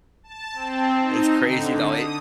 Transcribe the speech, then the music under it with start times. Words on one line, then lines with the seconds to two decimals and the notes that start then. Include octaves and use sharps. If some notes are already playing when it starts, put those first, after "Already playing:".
It's crazy though, it
0.23 A5
0.53 C4
1.00 D#4
1.44 D3
1.83 D#6